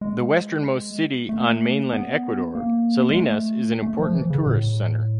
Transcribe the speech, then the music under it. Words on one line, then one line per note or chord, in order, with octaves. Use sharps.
The westernmost city on mainland Ecuador, Salinas is an important tourist center.
G#3
A3
B3
A#3
G#3
A3
A3
F3
E3
C#3
A2